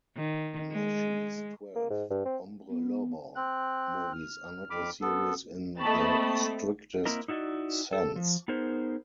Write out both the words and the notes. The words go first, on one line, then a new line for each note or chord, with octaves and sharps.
Naschy's twelve "Hombre Lobo" movies are not a series in the strictest sense.
D#3
G#3
A#3
G#2
G2
C4
B3
C4 F#6
F6
F2 B5 D6 F6
B3 A4
A3 A#3 C4 D#5 A5 B5 C#6
A#3 C4 E4 A#4 D#5
D#4 E4 F#4 D5 D#5
A4
F3
B3 D#4 G#4 A#4 C5